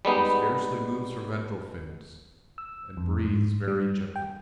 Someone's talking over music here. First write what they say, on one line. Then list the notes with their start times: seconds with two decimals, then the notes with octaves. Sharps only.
She scarcely moves her ventral fins, and breathes very gently.
0.05 G3 G#3 B3 D#4
2.58 E6
2.97 F2
3.24 G#2
3.68 G3
4.16 G5